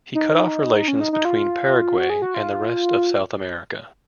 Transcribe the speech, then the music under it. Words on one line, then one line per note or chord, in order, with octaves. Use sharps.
He cut off relations between Paraguay and the rest of South America.
D#4
C#4
D#4
D#4
F4
F#4
G#4
F#4
F4